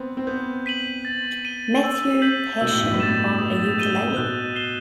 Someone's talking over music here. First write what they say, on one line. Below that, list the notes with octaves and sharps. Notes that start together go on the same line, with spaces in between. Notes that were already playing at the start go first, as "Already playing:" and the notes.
Matthew Passion' on a ukulele.
Already playing: B3 C4
C4
B3 G6
B6 D#7 F#7
A6
D#7 G7
E6
G6 B6 F#7
B2 E6
A2
G2
A2
A6 E7
D#6
G6 D#7 G7
A2
B2 F#6
C7 E7 G7